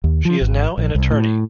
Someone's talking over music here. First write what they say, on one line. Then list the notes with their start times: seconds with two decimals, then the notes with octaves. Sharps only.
She is now an attorney.
0.04 D#2
0.25 F3
0.41 G#1
0.78 A#1
0.95 C2
1.11 A2